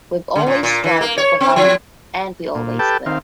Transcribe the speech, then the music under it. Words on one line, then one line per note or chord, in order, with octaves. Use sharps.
We've always strived for harmony, and we always will.
D3
A#2
A#2
E3
A#3
C#5
C4
F3
A#2
G4 A4 B4 G5 A5
D#3 C4 F5